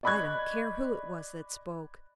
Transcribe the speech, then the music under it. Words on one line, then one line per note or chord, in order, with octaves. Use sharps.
I don't care who it was that spoke.
D5 D#5 B5 C#6 F#6 G#6